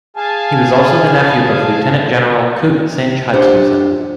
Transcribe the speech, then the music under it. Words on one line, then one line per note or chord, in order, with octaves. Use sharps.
He was also the nephew of Lieutenant General Coote Synge-Hutchinson.
G#4 F5 G#5 A5
D4 F4 G4 C5 F5 F#5